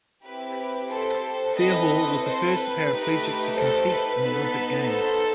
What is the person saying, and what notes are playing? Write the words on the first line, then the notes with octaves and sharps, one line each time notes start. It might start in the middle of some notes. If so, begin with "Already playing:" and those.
Fairhall was the first paraplegic to compete in the Olympic Games.
C4 E4 G4 B4
A4 C5
C4 E4 A4 B4 D#5
A4 C5
B4
A3 D#4 G4 B4
A4 C5
B4
B3 D#4 A4 B4
A4 C5